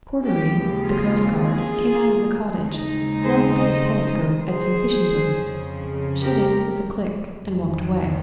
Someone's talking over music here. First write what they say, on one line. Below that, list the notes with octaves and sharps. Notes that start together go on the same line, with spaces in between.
Cordery, the coastguard, came out of the cottage, levelled his telescope at some fishing-boats, shut it with a click and walked away.
D#2 C#3 F3 G#3 C4 G4
F4 G#4
F4 G#4
D#2 C#3 G#3 C4 D#4
G#4 C5
C5 D#5
G#4 C5
F2 C#3 F3
G4 A#4
F2 C3 D#3 G3